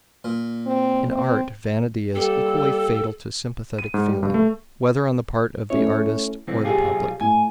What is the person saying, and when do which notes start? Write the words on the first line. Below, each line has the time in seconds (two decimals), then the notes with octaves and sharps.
In art vanity is equally fatal to sympathetic feeling, whether on the part of the artist or the public.
0.24 A#2
0.66 C4
1.09 C4
2.15 G3 A#3 G4 A4
3.79 D#7
3.94 G#2
4.08 G3
4.23 G2
4.34 A3
5.70 A3 C#4 E4 C#5
6.48 C2 E3 C4
6.63 B1 F4 G4 G#4
7.21 A2 G#5